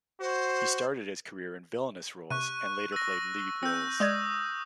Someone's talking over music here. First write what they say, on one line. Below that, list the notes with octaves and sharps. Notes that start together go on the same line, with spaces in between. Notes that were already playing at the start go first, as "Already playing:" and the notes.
He started his career in villainous roles and later played lead roles.
F#4 C5
C3 C#6 F#6 D#7
E6 A#6
C4 E6 G6
G#3 D5 D#6 G#6